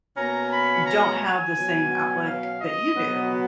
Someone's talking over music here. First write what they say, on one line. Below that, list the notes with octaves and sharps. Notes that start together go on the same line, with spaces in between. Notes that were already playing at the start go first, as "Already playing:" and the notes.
don't have the same outlook that you do?
B2 A#3 C#4 A#5
B5
A#5
G#5
B2 F#3 C#4
F5
D#5
B2 F#3 B3